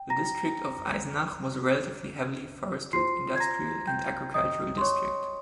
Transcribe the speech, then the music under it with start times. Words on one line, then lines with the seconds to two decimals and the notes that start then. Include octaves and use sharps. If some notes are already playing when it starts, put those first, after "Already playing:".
The district of Eisenach was a relatively heavily forested, industrial and agricultural district.
Already playing: G5
0.10 A#5 A#6
2.93 F4 C5 C6 C7
3.36 G#6
3.40 A#5 A#6
3.87 G5 G6
4.34 D#5 D#6
4.78 C6
4.81 C#5 C#6